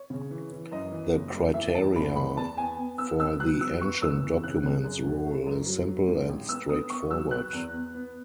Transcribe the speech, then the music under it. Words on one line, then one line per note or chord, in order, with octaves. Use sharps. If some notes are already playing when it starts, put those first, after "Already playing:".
The criteria for the Ancient Documents Rule is simple and straightforward.
Already playing: C#5
C#3
E3
E3
F#2 D#5
E3
F#1
F#2
E3 E5
E3 A5
F#1 B5
E3 B5
E2 A5
B3 G#5
B3
B3 E6
B3 E6
F#3 F#6
B3 E6
B3 C#6
F#2 E6
E3
C#3 F#6
C#3
F#2
A3
A3
F#2
F#3
F#3
G#2
A1
B3 E6
B3 D#6
B3 C#6
F#3 E6
B3 F#6
E2
B3
B3